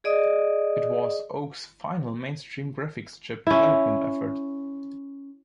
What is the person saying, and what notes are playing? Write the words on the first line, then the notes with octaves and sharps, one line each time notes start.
It was Oak's final mainstream graphics chip development effort.
G#4 D5 D#5 D#6
C#4 E4